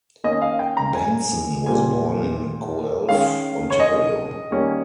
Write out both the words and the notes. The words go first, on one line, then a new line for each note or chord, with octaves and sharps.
Benson was born in Guelph, Ontario.
D#3 A#3 C#4 D#5
F5
G5
A#5
G#5
A#2 G3 A#3 G#5
D#3 G#3 C#4 F5
C#5
D#5
D#3 G3 A#3 C#4